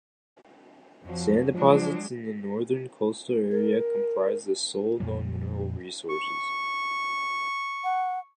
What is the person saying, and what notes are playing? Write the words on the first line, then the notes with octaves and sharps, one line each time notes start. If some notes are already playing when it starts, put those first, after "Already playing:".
Sand deposits in the northern coastal area comprise the sole known mineral resources.
F2 F3 F#3
F3 F#3 G#3 D4
A#4
F2 A#2 F3 G3
C#6
F#5